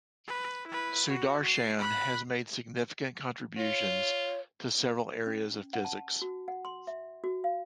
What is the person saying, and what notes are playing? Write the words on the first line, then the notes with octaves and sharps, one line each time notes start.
Sudarshan has made significant contributions to several areas of physics.
B4
E4 B4
F#4
C7
B5 F#6
F4 C#5
C#4
F#5
A5
F#4
F#5
C6
E5
F#4
F5